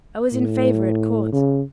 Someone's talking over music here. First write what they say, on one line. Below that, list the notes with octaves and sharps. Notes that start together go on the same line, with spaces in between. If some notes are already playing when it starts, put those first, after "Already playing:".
I was in favour at Court.
A2
C#3